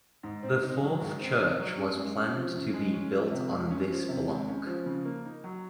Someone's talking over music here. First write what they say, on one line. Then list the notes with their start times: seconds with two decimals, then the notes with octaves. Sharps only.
The fourth church was planned to be built on this block.
0.23 G#2
0.43 C4
0.63 D#4
0.81 F#3
1.00 G#2
1.20 C4
1.39 D#4
1.59 F#3
1.78 F#2
1.97 G#3
2.16 C#4
2.36 F3
2.55 F#2
2.74 G#3
2.93 C#4
3.13 F3
3.32 C3
3.51 G#3
3.71 C#4
3.90 F3
4.09 C3
4.28 G#3
4.48 C#4
4.67 F3
4.86 C#3
5.05 A#3
5.25 D#4
5.44 F#3